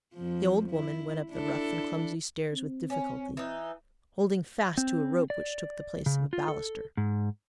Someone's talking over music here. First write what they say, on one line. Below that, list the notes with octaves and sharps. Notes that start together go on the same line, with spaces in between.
The old woman went up the rough and clumsy stairs with difficulty, holding fast to a rope which took the place of baluster.
F2 F3
E4
D4 E4 A4
C4
C#4
E3 D#4
C4
D5
C#3
F4
A4
G#2